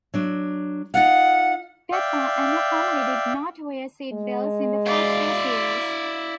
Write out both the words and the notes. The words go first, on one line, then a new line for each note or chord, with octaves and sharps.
Peppa and her family did not wear seat belts in the first two series.
F#3 D4
D#4 F4 F5 F#5
D5 E5 F5 G5
G#3
E4 D5 F5